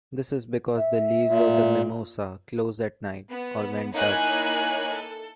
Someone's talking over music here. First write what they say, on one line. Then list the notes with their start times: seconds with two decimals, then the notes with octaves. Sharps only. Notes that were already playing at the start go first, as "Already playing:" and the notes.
This is because the leaves of the mimosa close at night, or when touched.
0.77 E5
1.28 A#2
3.30 B3
3.94 A#3 D#4 E4 C#5 G#5 F#6
4.91 A4